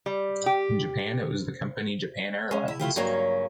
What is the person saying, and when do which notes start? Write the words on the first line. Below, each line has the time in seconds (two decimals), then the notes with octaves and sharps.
In Japan it was the company Japan Airlines.
0.06 G3
0.46 G4
2.51 G#3 C#4
2.68 E4
2.79 A3 E4 F4 G4
2.96 G2 C#3 F#3 A#3 C#4